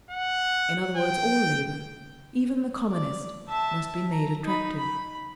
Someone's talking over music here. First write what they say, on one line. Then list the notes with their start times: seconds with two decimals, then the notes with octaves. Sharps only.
In other words, all labour, even the commonest, must be made attractive.
0.10 F#5
0.97 G5
2.91 D5
3.48 E5 A5
4.11 A#5
4.44 D#4 B5
4.79 B5